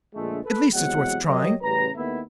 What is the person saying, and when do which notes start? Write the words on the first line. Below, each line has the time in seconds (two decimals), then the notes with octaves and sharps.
At least it's worth trying.
0.15 A#1 D3 G#3 A3
0.45 A4 B4
0.74 E2 C3 F#3 G#3 F#5
1.27 F#3 G4 A#4 C#5 D#5
1.62 A1 C#3 G3 B4 A#5
1.96 D#2 D#3 A3 B3 E4 E5